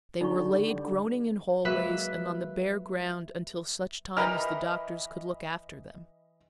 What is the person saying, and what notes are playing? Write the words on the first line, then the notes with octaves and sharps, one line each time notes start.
They were laid groaning in hallways and on the bare ground until such time as the doctors could look after them.
D3 G3 D#4 E4 C#6
F#3 G#3 A#3 B4 E5 F#6
E3 G4 A#4 D#5 B5 F6